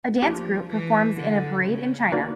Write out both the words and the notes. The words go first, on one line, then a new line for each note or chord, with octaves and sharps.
A dance group performs in a parade in china.
F3 A#3 D4 G4
E3
D3
C#3
A#3 D#4 F#4 B4 D5